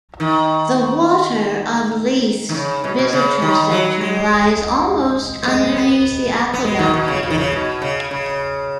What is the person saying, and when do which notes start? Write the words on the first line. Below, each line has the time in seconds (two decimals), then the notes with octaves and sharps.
The Water of Leith's visitor centre lies almost underneath the aqueduct here.
0.20 D#3
2.49 D#3
2.54 C#3
2.84 B2
2.99 B2
3.13 C#3
3.42 D#3
3.72 F#3
4.01 G#3
5.43 B3
5.47 G#3
5.76 B3
6.54 B3
6.64 G#3
6.79 D#3
6.94 B2
7.08 C#3
7.23 C#3
7.30 D#3
7.38 C#3
7.52 B2
7.82 C#3
8.11 C#3